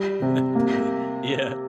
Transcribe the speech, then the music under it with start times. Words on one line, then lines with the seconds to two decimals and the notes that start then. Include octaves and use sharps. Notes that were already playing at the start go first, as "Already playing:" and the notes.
actually." Yeah.
Already playing: G3
0.22 C3
0.55 A#3